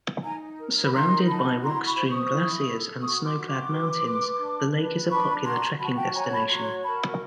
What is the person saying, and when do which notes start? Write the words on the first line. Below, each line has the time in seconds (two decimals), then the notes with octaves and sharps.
Surrounded by rock-strewn glaciers and snow-clad mountains, the lake is a popular trekking destination.
0.22 D#4 G#5 A#5
0.58 A#4
0.85 B5
0.92 D#4 A#5 C6
1.27 F#4 A5 B5
1.62 E4 A#5 C6
1.85 B5 C#6
1.97 C5
2.08 C#6 D#6
2.31 E4
2.66 A4
3.00 F#4 C#6 D#6
3.24 C6 D6
3.36 F#4
3.47 C6 D6
3.71 B4
4.05 B4
4.39 D4
4.74 B4
5.09 D4 B5 C#6
5.43 F#4 A#5 C6
5.78 F#4 A5 B5
5.96 G5 A5
6.13 C#5 G#5 A#5
6.30 A5 B5
6.48 F#4 A#5 C6
6.82 A#4 A5 B5